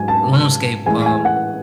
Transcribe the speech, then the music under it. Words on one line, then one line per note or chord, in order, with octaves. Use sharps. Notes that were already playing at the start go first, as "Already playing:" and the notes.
RuneScape, um
Already playing: G#2 F#3 G#5
A5
A2 E3 G#3 G#5
G#5
F#5